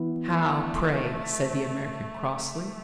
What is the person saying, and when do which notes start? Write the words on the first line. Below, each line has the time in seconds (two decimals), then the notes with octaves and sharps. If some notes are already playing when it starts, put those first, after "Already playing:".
"How, pray?" said the American, crossly.
Already playing: E3 B3 E4
0.29 A3
2.34 A3